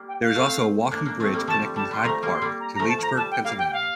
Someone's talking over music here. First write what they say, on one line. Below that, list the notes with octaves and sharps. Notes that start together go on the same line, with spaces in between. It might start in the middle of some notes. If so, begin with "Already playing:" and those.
There is also a walking bridge connecting Hyde Park to Leechburg, Pennsylvania.
Already playing: G3 A#3
G5
F5
A3 C4
A#3 D4
A#3 D4
A3 C4
G3 A#3
F3 A3 A5
G3
G3 A5
G3 C6
F3 A3 A#5
G3 A#3
C6
G3 A#3
A#5
A#5
F3 A3
A5
F3 A#5
G3 A5
G5
G3 A#3 F5
G5
G5
F5